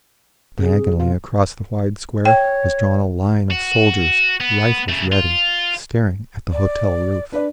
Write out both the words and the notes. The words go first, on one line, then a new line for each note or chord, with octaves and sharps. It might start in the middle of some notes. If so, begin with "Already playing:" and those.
Diagonally across the wide square was drawn a line of soldiers, rifles ready, staring at the hotel roof.
C3 G#4
B2 F4
C#5 G5
F#4
B3
C#3 A3
F4
D5
D4 B4 D5